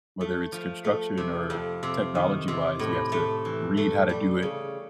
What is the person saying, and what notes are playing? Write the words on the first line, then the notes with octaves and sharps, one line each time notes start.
Whether it's construction or technology wise, you have to read how to do it.
A3
F3
A3
C3
F2
C3
D#3
C3
A2
A3
E3
A3
G3
C#3